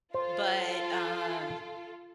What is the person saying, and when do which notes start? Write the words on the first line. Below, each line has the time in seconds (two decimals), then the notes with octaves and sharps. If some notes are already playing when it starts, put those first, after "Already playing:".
but, um,
0.14 F4 A4 C5